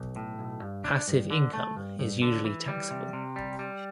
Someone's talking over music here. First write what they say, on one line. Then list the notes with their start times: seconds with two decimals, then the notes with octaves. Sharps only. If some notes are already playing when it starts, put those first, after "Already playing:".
Passive income is usually taxable.
Already playing: B1
0.16 A2
0.39 B1
0.62 G2
0.84 D4
1.08 G2
1.30 D3
1.53 A3
1.76 G2
1.99 G2
2.22 D3
2.44 E3
2.68 G3
2.91 C3
3.13 C3
3.36 G3
3.59 G3